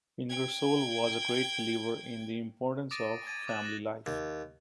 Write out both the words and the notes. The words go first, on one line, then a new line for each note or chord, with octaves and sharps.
Ingersoll was a great believer in the importance of family life.
G5 G#6
D6 D#6 A6 A#6 D7 D#7
G#6 A6 D#7
D6 D#6 F#6 A6 E7 F#7
A#6
D#2